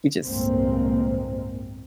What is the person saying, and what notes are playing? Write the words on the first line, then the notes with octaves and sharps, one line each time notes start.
You just
G1 C2 A2 G#3 A#3 C4